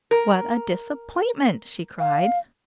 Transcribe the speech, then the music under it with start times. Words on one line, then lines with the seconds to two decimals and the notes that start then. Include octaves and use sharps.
"What a disappointment!" she cried.
0.11 A#4
1.99 F5